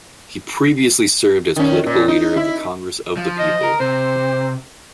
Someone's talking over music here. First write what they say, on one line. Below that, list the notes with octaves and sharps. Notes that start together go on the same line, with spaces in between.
He previously served as Political Leader of the Congress of the People.
D#3 C#4
A#2
D#4
E4
F3
D#5
A#4
C3 C5